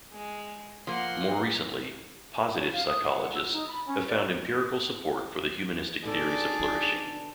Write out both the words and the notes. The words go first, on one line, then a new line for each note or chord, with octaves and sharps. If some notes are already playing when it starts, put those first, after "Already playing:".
More recently, "positive" psychologists have found empirical support for the humanistic theories of flourishing.
G#3
F3 A#3 F#5 C6
C#5
F5
D#6
F#5
E6
D#4
B5
C#4
D5
B2 D3 D#4 G#4 A4 D5